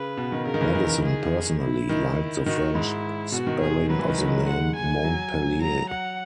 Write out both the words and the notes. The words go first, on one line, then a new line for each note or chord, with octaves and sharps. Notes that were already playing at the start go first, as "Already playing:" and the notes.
Madison personally liked the French spelling of the name "Montpellier".
Already playing: C#3 B4
B2
D#3
C#3 A#4
D#3
E3
D#3
G#4
E4
D#3
D#3 F#4
G#2 E4
B2 F#4
D#3
G#4
F#3 B4
E3
D#3
F#3
G#3
F#3
G#3 F#5
G#5
F#3
F#3 A#5
F#5